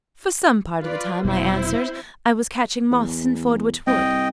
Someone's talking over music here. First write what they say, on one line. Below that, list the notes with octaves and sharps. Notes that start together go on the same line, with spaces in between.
"For some part of the time," I answered, "I was catching moths in Fordwitch Wood."
F4 B4 D5
F1 B2 F#3 C4 E4 C5
E2
C2 D#5 G5